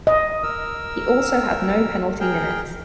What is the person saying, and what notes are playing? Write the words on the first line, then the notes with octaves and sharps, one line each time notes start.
He also had no penalty minutes.
D#5
A#4 E6
G#4 A#4 G5